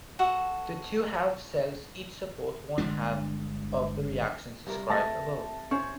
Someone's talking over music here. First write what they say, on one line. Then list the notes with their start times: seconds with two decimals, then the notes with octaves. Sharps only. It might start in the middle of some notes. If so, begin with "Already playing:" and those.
The two half cells each support one half of the reactions described above.
0.19 F#4 A4 F#5
2.78 G1 D3 G#3 D4
4.67 G2 C3 A#4
4.90 A3 A5 A6 A#6
5.71 C#4 C5 C#5 C#6